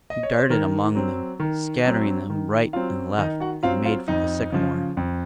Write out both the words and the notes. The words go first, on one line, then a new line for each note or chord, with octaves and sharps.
He darted among them, scattering them right and left, and made for the sycamore.
D#5
C#5
C5
D#3 A#4
F#3 C4
D#3
F#3 C4
D#3
F#3 C4 F4 F5
D#3 D#4 D#5
F#4 F#5
F#3 C4 F4 F5
F4 F5
F2 D#4 D#5
C#3 F3
F2